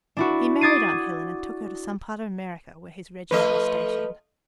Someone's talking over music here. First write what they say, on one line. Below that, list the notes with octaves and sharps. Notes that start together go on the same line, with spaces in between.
He married aunt Helen and took her to some part of America where his regiment was stationed.
D4 E4 F#4
D6 D#6 G#6 A6 C7 D#7
F3 A3 B4 D#5